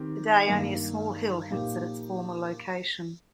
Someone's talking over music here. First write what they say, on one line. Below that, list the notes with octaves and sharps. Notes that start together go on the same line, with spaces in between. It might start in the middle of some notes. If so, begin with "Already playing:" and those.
Today, only a small hill hints at its former location.
Already playing: D#3 C4 G4
G2 D#3 A#3
A#2 F3 D#4 G4 A#4